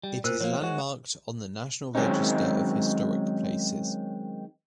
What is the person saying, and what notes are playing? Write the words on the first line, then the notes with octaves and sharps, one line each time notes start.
It is landmarked on the National Register of Historic Places.
G3
A#2 A#4 C5
F3 A#3 C#5
G#3 F#4
D#3 F#3 G#3 C4 C#4 D#4